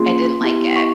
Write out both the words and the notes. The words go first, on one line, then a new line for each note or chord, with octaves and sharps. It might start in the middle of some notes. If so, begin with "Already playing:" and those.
I didn't like it.
Already playing: A#3 C#4 F4 G#4 C6
B3 E4 G4
C#6